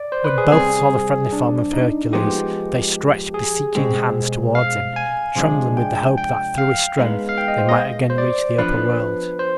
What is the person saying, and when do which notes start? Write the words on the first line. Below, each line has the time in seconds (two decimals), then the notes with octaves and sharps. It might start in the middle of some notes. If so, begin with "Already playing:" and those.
When both saw the friendly form of Hercules they stretched beseeching hands towards him, trembling with the hope that through his strength they might again reach the upper world.
Already playing: D5
0.12 C5
0.24 B4
0.38 G#4
0.52 C3 G3 C4 G#4
1.33 D4
1.73 D#4
2.13 F3 G#3 B3 D#4 G4
3.34 G#4
3.75 B2 G#3 C4 G4
4.55 F5
4.96 G#5
5.36 C3 F3 G#3 D4
5.77 G5
6.17 G5
6.58 F5
6.98 G#3 B3 D#4
7.29 F5
7.38 G5
7.48 D#5
7.58 C5
7.69 D#5
8.10 C5
8.18 D5
8.58 F3 B3 D4 B4
9.39 C5